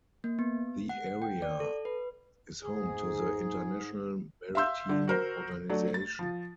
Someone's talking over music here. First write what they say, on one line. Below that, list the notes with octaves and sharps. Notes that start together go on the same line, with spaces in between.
The area is home to the International Maritime Organization.
A#3
B3
F#5
G5
D5
A4
B4
G#2 G#4
E5 F5 C6 E6 G6
D3
F#4 A#4 C5
F#3 A3 D4
A6
F3